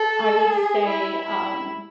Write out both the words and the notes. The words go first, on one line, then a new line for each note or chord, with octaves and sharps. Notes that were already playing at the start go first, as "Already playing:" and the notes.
I would say, um,
Already playing: A4
G#4
E4
E4